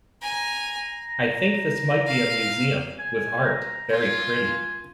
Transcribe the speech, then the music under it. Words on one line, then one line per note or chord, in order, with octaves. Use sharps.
I think this might be a museum, with Art, very Pretty.
G#5 A#5
F5
G#5
A#5
F4 G#5